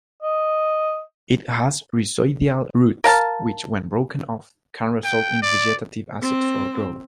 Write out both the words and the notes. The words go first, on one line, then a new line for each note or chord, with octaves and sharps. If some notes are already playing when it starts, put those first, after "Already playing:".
It has rhizoidial roots, which, when broken off, can result in vegetative asexual growth.
D#5
A#4 F5 A5
G5
D5
C4